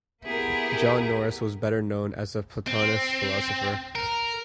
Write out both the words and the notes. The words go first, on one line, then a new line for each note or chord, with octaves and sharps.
John Norris was better known as a Platonist philosopher.
A#3 B3 E4 G4 G#4 A#4
C4
A#4